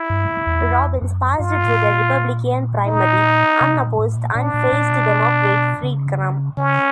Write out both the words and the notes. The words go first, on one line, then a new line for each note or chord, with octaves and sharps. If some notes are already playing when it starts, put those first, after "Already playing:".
Robbins passed through the Republican Primary unopposed and faced Democrat Fred Crum.
Already playing: E4
G2
E2
F2
F#2
G2 F4
A2
A#2
D#4
C3
B2
A#2
A2
A#2
A#2 D4
A#2
A#2
B2
C#3
C#3 C#4